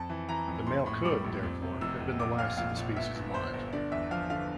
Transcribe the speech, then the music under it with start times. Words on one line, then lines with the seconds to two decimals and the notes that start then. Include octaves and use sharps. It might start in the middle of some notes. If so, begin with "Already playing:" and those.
The male could, therefore, have been the last of the species alive.
Already playing: F2 A5
0.09 E3
0.29 E3 A#5
0.48 F2
0.67 A#1 C6
0.86 A2
1.05 G3 D6
1.24 A#1
1.43 F2
1.62 C3
1.81 F1 E6
2.01 F1
2.19 A#1 D6
2.39 A#2 F5
2.57 A#1 F5
2.77 A#1
2.96 G1 E5
3.15 G1
3.34 G1 C5
3.54 G1
3.73 D3 D5
3.92 E2 E5
4.11 F3 F5
4.30 D3 F5